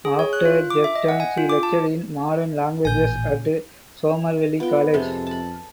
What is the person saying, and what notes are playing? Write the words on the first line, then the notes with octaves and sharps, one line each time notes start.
After Girton she lectured in modern languages at Somerville College.
G#4
C#5
F#6
F4
D6
E5
D#5
F#5
G#5
F4
D6
A5
A1 A#2 G#5 G6
B3 F4 G5
F2 C3 G#3 A4
A5 B5